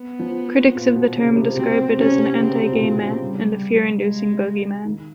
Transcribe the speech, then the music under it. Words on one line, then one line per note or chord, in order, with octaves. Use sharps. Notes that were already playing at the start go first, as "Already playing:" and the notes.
Critics of the term describe it as an anti-gay myth, and a fear-inducing bogeyman.
Already playing: B3
F3
A#2
B2
C#3
C3
B2 C4
C3 C#4
C#3 C4
C3
A#2
B2 C4
C#3
G3
G#3
D#3